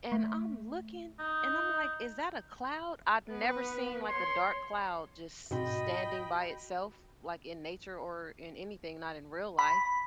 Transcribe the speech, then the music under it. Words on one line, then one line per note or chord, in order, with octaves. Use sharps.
and I'm looking and I'm, like, "Is that a cloud?" I've never seen, like, a dark cloud just s standing by itself, like, in nature or in anything, not in real life.
A3
D#4
B3 B4
C#5 C6
G#2 B2 C4 F#4 D#5 G5 B5
B5